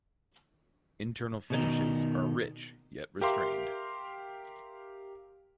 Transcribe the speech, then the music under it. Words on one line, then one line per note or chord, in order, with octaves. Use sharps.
Internal finishes are rich yet restrained.
B2 D#3 D#4
G4 A#4 E5 F5 C6 D6